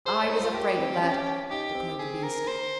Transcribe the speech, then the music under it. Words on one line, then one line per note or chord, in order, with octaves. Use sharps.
"I was afraid of that," declared the beast.
G#4 C5
C#5
D#4
F4 C5
G4 A#4
C4
C#4
D#4 G4
C4
G#4
A#4
A#3 C5